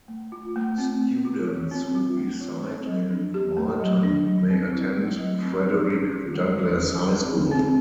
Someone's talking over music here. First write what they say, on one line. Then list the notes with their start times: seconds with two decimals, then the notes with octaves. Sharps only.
Students who reside in Marlton may attend Frederick Douglass High School.
0.08 A3
0.32 F4
0.56 A3
0.78 C4
1.01 A3
1.25 F4
1.48 E3
1.71 C4
1.95 F4
2.17 A3
2.41 E3
2.64 C4
2.87 F#3
3.11 D4
3.34 G4
3.57 A3
3.80 F#3
4.03 D4
4.26 F#3
4.50 C4
4.73 E4
4.96 A3
5.19 F#3
5.42 C4
5.66 F3
5.88 C#4
6.12 F4
6.35 G#3
6.58 F3
6.82 C#4
7.04 C4
7.28 G#4
7.51 C4